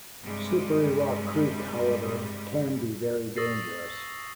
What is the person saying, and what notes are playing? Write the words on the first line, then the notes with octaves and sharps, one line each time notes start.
Slippery Rock Creek, however, can be very dangerous.
G2 C3 G3 G#3
C#6 D#6 E6 A6 A#6 C7